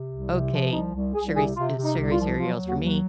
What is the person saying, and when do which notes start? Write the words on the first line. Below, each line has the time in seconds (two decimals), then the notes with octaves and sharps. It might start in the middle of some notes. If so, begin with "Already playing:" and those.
"Okay, sugary ce sugary cereal's for me."
Already playing: C3
0.10 C2
0.31 C3
0.52 F3
0.73 C2 D#4
0.93 C2
1.14 C2 G#4
1.36 C3 G#4
1.56 C3 F4
1.77 C3
1.84 D#4
1.98 C2
2.11 F4
2.18 F3
2.39 F#3 F4
2.60 D#2
2.67 F#4
2.81 F#3